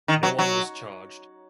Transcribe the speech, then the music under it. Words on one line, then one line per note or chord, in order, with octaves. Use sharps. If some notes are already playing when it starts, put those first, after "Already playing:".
No one was charged.
D#3
F#3
F#3